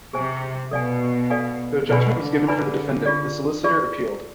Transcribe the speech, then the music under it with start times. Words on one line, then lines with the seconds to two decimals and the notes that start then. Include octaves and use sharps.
Though judgment was given for the defendant, the solicitor appealed.
0.13 C3 G#4 C5 G#5
0.71 B2 A4 D5 F5 G#5
1.30 A4 D5 F5 G#5
1.89 B2 E4 B4 D5 G#5 B5
2.18 D3
2.47 E4 B4 D5 G#5 B5
3.06 F4 G#4 D5
3.64 F4 G#4 D5